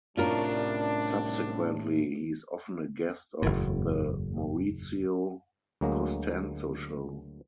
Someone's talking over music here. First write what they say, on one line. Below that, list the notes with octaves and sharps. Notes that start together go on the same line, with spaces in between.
Subsequently he’s often a guest of the “Maurizio Costanzo Show”.
C2 A2 G3 C#4 D4 F4 A#4
F#1 E2 A2
D2 F#3 G#3 A#3 D#5